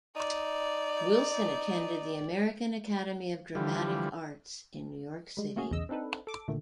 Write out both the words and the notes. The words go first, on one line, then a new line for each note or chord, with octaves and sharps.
Wilson attended the American Academy of Dramatic Arts in New York City.
D#4 D5
D3 E3 F3 G3
G3 G#3
A3 A#3 C#4 F#4 G#4
B1 E2 C#3 D#5 E6
C4 D4 D#4 A4 B4
A4 D6
A#2 D3 D#3 A3